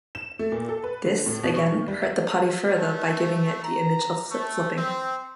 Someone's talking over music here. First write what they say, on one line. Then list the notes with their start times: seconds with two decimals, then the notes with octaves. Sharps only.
This, again, hurt the party further by giving it the image of flip flopping.
0.15 E7
0.39 A3
0.52 A#2
0.69 A4
0.84 B4
1.05 D3
1.26 A2
1.43 B2
1.56 C#6
1.72 D#3
1.88 G3
2.02 E5
2.69 A3
3.63 A#5
4.29 A3
4.75 C4